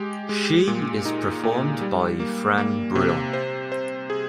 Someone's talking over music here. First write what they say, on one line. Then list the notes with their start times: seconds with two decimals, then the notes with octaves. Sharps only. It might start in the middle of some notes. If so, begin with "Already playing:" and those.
She is performed by Fran Brill.
Already playing: G#3 G4
0.29 G#3
0.68 A#2
1.05 D#4
1.43 A#2
1.81 G3
2.20 A#3
2.58 A#3
2.95 C3
3.33 C5
3.72 C5
4.10 G#4